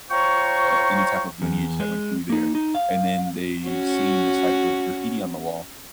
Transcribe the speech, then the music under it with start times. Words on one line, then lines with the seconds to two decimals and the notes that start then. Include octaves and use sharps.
uh, any type of lineage that went through there, and then they've seen this type of graffiti on the wall,
0.11 F4 C5 C#5 G5 A#5 C#6
1.42 E2
1.80 G#3
2.30 A#3 D#4
2.55 D#4
2.75 F5
3.67 C#4 F#4